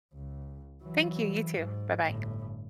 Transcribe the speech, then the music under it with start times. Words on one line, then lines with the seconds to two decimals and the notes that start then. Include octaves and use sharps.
Thank you, you too. Bye-bye.
0.14 C#2
0.83 E3 F#3
1.58 G#2
2.04 G1 A2